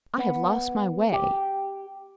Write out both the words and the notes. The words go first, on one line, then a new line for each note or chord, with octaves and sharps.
'I have lost my way.
B3
G4